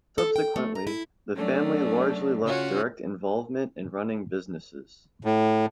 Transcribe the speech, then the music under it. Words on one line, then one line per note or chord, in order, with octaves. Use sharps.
Subsequently, the family largely left direct involvement in running businesses.
A4
G5
A3
A#5
E4
F#3 A3 C#4 D4
C#3 C#4 F4 F#4 C#5
A2